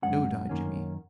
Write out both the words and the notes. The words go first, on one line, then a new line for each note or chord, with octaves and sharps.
No die Jimmy.
F#2 C#3 G#3 C#4 F#5
F#2 D#3 A#3 C#4